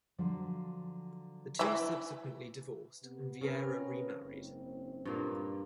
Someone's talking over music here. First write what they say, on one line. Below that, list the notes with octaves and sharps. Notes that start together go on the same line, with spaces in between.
The two subsequently divorced and Viera remarried.
D3 F3 F#3
E3 E5
C3 B3
C#3 C4 C#4 A#4 B4
F#1 G#2 C4
G2 A#2 A#3